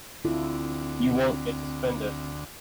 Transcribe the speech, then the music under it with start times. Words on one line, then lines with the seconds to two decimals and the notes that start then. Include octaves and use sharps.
You won't get to spend it.
0.25 D2 C4 E4 F4 A4